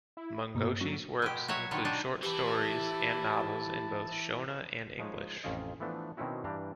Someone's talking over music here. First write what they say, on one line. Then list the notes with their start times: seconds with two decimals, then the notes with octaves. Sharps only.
Mungoshi's works include short stories and novels in both Shona and English.
0.17 E4
0.55 G2 B2 A#3
0.81 F#3 C#4
1.22 B2 G#3 G4
1.48 F#3 F#4 C#5 E5
1.71 B2 D3 D#3 C#5
1.85 D4 D#4
2.23 E3 E4 G4 A5
4.99 F3 G#3 D#4 C#5
5.44 A1 F2 C#4 F4 D#5
5.80 E3 F3 A3 B3 D4
6.17 B2 D#3 C4 C#4 E4 F#4
6.44 G2 E3 G3 D4 G5 A#5